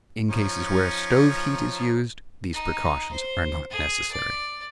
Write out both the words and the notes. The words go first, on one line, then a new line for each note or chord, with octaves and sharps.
In cases where stove heat is used these precautions are not necessary.
F3 C#4 D#4
D#4
C5
G#4
D5